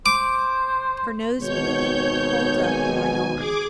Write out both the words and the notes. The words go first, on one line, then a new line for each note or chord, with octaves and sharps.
For nose-bleed, hold up the right arm.
C5 D6
G#1 B2 C#5 G6
G#5
G#4 D6